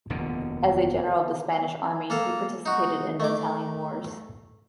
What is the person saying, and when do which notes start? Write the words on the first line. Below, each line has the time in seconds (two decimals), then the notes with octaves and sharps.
As a general of the Spanish army, he participated in the Italian Wars.
0.10 F1 D#2 B2 D3
2.10 A#3 A4 F5
2.66 D#4 F#4
3.20 A3 D6